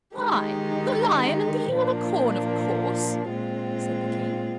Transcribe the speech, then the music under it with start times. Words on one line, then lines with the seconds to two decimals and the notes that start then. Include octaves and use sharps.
'Why the Lion and the Unicorn, of course,' said the King.
0.17 D#3 G#3 D#4 G4
1.74 A#2 F3 A#3 D4
3.30 A#2 G#3 C4 F4